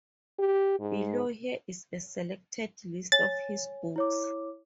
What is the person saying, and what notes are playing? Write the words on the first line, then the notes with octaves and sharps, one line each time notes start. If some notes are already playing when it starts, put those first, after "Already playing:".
Below here is a selected list of his books.
G4
G#2
C#5 G#5 A6
E4 C#5 D6